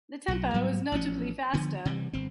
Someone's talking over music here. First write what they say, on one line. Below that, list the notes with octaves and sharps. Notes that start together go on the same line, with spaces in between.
The tempo is notably faster.
B1 F#3
G#2 F#3 G3 B3
A1 F3 C#4
D3 F3 B3
C3 E3 G3
G1 C4